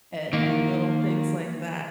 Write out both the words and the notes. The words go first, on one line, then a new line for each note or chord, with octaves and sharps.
and and little things like that,
D#3 A#3